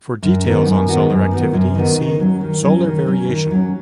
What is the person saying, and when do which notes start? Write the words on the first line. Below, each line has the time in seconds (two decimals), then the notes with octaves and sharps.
For details on solar activity see: solar variation.
0.22 F#2
0.44 D#3 B3 F#4
0.66 F#2
0.88 D#3 B3 F#4
1.10 F#2
1.31 D#3 B3 F#4
1.53 F#2
1.75 D#3 B3 F#4
1.98 D#3
2.20 F#3 C#4
2.41 D#3
2.63 F#3 C#4
2.85 D#3
3.06 F#3 C#4
3.29 D#3
3.51 F#3 C#4